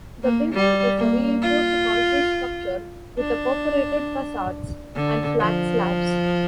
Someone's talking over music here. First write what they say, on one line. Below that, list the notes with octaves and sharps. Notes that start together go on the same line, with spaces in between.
The building is a reinforced concrete structure with a perforated facades and flat slabs.
A#3
G3
A#3
F4
D4
D3
F3